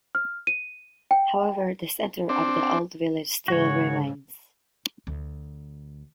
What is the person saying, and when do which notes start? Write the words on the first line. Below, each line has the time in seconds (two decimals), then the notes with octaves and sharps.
However the centre of the old village still remains.
0.15 F6
0.47 D#7
1.11 G5
2.29 C4 D4
3.48 G#2 C#3 F#4 C#5
5.07 D2